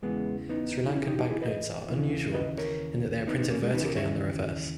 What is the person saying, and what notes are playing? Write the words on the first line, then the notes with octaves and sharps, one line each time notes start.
Sri Lankan banknotes are unusual in that they are printed vertically on the reverse.
E2 C#3 E3 G#3 B3
B3 D#4
D#4
C#4 E4
G#4
D#4 G4
D#4 G4
E4 G#4
B4 D#5
D#2 C#3 E3
B4 D#5
A#4 C#5
B3 D#4
B3 D#4
A#3 C#4
G#3
D#2 C#3 E3 B3 D#4
G4 A#4
C#5 E5